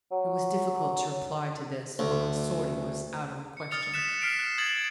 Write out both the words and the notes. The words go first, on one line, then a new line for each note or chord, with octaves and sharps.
It was difficult to reply to this, for a sortie was out of the question.
F#3
D2
C#7
D#6 F6 A6 C#7 F7
F#6 A6 B6 E7
F6 B6 C7 D7 F7
F#6
D#6 G#6 A6 F#7